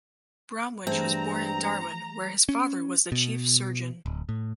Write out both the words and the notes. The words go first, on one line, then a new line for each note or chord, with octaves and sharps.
Bromwich was born in Darwin where his father was the Chief Surgeon.
G2 E3 A3 C4 G#4 A#5
C#4
B2
D1
A2